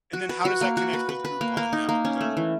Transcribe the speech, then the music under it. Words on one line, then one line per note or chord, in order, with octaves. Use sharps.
and then how does that connect with Groupon now, 'cause I'm
F#4
B4
F#4
A#3
F#4
B4
B4
B4
A#3
A#3
D#4
A#3
C#4
A3
E3